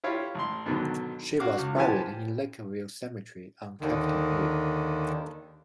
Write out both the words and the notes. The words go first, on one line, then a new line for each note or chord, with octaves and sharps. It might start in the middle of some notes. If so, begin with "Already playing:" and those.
She was buried in Lake View Cemetery on Capitol Hill.
E4 F4 G4 C#5 F5
A1 C6
G#2 B2 D3 D#3 F#3
C#4 F#4 F5 D6 F6
C#2
E3 F3 G4 F#5 G#5 A5
D#2 D3 D#3